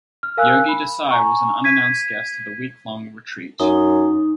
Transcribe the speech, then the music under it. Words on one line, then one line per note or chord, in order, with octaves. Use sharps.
Yogi Desai was an unannounced guest at the week-long retreat.
F6
A#4 F5 G#5 E6 F#6
B5
G#5 A#5 C#6
G#6 B6 D#7
F#2 D#4